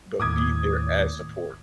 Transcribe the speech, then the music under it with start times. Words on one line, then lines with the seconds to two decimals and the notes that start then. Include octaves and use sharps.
but be there as support.
0.20 D#2 A2 D6 D#6 G#6